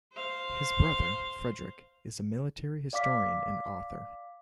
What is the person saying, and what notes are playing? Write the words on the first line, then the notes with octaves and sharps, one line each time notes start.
His brother, Frederick, is a military historian and author.
C5 F5
D5 F5 D6 B6